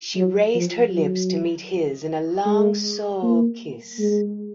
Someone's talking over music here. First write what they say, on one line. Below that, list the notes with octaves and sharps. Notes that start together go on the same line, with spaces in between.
She raised her lips to meet his in a long, soul kiss.
F#3
F3
F#3
G#3
A#3
G#3